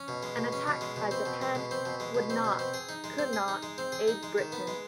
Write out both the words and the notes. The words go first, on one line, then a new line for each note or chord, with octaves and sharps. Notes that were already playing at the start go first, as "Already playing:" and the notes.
An attack "by Japan" would not, could not, aid Britain.
Already playing: C#4
B2
G#3
B2
C#4
B2
G#3
B2
C4
B2
G#3
B2
C4
B2
G#3
B2
C4
B2
C4
G#4
D#4
G#3
C4
G#4
D#4
G#3
C4
G#4
D#4
G#3
D#3
B3
G#3